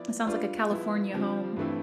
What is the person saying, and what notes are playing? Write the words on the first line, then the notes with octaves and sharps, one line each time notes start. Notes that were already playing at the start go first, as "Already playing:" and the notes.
It sounds like a California home.
Already playing: F3 B3 E4 B4 D5
G3 D4 F4 B4 D5
F3 B3 E4
D3 F3 C4 G4
G2 E3 A3 C4 E4